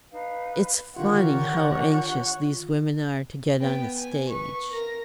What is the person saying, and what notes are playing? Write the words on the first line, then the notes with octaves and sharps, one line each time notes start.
"It's funny how anxious these women are to get on the stage."
D#4 B4 F5
D3 D#3 D4 F4 G4 A#4 C#5 F#5
B3 G5
G#5
B4 C#6
A#4 A#6